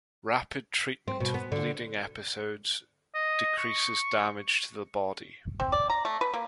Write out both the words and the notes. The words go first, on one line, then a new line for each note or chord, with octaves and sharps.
Rapid treatment of bleeding episodes decreases damage to the body.
C4
B2
B3
D3
D#5
C#6
C4
D5
A#5
A3
B4
A#3